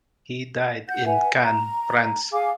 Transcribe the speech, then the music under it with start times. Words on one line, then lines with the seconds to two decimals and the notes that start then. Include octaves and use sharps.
He died in Cannes, France.
0.87 F#5 G6
1.05 B4 E5 F#5 G#5
1.43 A#5
2.32 G#4 F5 G#5 D6